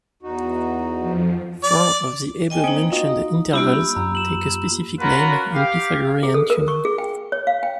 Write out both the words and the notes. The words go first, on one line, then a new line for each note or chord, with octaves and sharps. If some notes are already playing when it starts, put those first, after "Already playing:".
Four of the above-mentioned intervals take a specific name in Pythagorean tuning.
E2 D#4 F#4
F2 F3
D5
D#5 G5 G#5
A#3 C4 D#4 D#6
F4 F#4 D#5
G3 A#3 D4 E4 F4 G4 B5 E6
F#2 A#5
E7 F#7
C#4 F4 F#4 A#4 B4
G4 F5
G#4
A4
A#4
C#6
G#4
G5
C#5
F5
G5